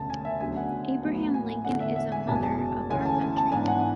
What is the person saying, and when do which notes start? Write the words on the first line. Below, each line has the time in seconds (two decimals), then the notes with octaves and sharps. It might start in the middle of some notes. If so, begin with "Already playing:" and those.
Abraham Lincoln is a 'mother' of our country.
Already playing: E1 D2 C#3 A5
0.10 G#5
0.25 E5
0.41 D2 C#3 F#3 B3 D4 G#5
0.56 F#5
1.03 A1 A2 F#3 B3
1.34 G#5
1.65 E2 D3 A3 D4 F#5
1.80 E5
1.96 E5
2.12 G#5
2.27 F#1 E2 B2 G#3 A5
2.35 G#5
2.43 A5
2.89 D2 C#3 E3 A3 C#4 G#5
3.05 A5
3.21 G#5
3.37 A5
3.52 G#2 E3 B3 D4 G#5
3.68 F#5